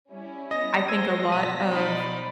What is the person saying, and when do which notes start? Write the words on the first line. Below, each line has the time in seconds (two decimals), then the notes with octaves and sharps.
I think a lot of
0.11 G3 C#4 E4
0.51 B3 D#5 A#6
0.88 G#3 C5 C6 E6 G#6 D#7
1.32 B2 A5 A#5 B6 D#7
1.71 D#4 C5 D5 B5